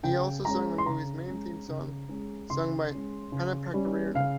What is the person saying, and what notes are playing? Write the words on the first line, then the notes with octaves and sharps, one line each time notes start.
He also wrote the movie's main theme song, sung by Hanna Pakarinen.
C#3 G5
G#3 C#4 A#5
C6
C#3 A#5
G#3 C#4
C#3
G#3 C#4
C#3 C6
G#3 C#4
C#3
G3 C#4
C#3 F5